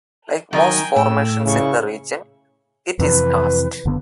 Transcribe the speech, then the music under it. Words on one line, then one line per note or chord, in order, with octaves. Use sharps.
Like most formations in the region, it is karst.
D#3 F#3 D#4 A#4 G5 G#5
A2 G5 E6
C#3 E4 C#6
F2 C3 E3 B4
F#1 D3 B3